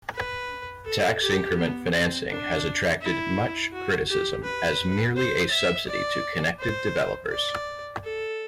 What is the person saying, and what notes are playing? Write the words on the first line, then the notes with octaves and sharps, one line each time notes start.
Tax-increment financing has attracted much criticism as merely a subsidy to connected developers.
B4
A4
G4
B3
C4
D4
E4
F#4
G4
B4
C5
E5
D5
C5
D5
A4